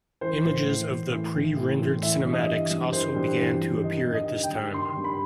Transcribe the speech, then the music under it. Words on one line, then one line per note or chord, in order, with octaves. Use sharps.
Images of the pre-rendered cinematics also began to appear at this time.
E3 C5
A2
E3
A2
E3
A2
E3
A2
E3 E5
G2
D#5
E3
G2
E3 C5
G2
E3
G2
D#3 D#5
G2
D#5
D#3
G5
G2
D#3 C6
G2
B5